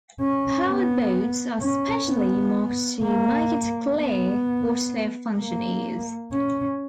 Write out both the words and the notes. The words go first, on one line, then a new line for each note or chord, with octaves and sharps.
Pilot boats are specially marked to make it clear what their function is.
C#4
B3
C#4
B3
A#3
B3
A#3
C#4